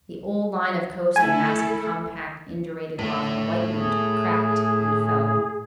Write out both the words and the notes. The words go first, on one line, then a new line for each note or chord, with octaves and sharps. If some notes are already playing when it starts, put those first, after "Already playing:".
The old line of coast, a mass of compact, indurated lava, whitened, cracked and fell.
A3 E4 A4 G#5
A2 A3
G#4